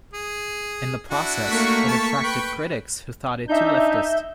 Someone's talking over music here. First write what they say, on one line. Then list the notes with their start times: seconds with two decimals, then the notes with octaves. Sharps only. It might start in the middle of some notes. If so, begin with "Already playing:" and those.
In the process, it attracted critics who thought it too 'leftist'.
0.13 G#4
1.11 D4 E4 F#4
1.47 A3 A#3 C#6 B6
1.88 A5
2.24 B4 G5
3.48 D4 D#4 E5 G6